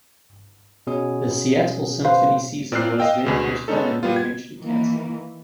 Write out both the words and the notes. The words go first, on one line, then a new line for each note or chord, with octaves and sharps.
The Seattle Symphony season was then postponed and eventually cancelled.
B2 C#4 G#4
B4 C5 F5
A#2 C4 D5 F6 F#6 C7
D#5 F5 G5 E6
D2 B2 G#3
G#3 B3 C#4 D#4 A4
G3 B3 F4
G#6
D#3 E3 A#3